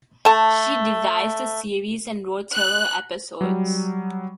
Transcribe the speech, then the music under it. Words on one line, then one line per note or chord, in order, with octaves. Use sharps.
She devised the series and wrote several episodes.
A3 A5
F#6
F#3 G3